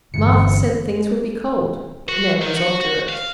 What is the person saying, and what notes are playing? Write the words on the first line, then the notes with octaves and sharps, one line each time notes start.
Martha said things would be cold, but Ned was obdurate.
G1 G2 D3 E3 C#7
F#4
D#3
F#4
F#4
F5